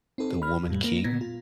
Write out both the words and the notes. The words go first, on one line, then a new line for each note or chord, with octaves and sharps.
The Woman King?
C4 D#4 A4
B5 F6
F2 A2 G3
A#3
A#2 B3 G#6 A#6
F4